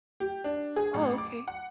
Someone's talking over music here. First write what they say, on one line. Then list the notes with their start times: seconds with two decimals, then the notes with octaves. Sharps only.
Oh, okay.
0.20 G4
0.44 D4
0.76 G#4
0.94 A1
1.18 D6
1.48 F#5